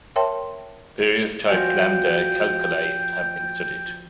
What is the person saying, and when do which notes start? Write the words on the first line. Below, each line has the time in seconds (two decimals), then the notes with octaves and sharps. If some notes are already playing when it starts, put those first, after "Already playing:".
Various typed lambda calculi have been studied.
0.16 A#4 C#5 E5 G5 A5 C6
1.49 F3 F#4 G5 G#5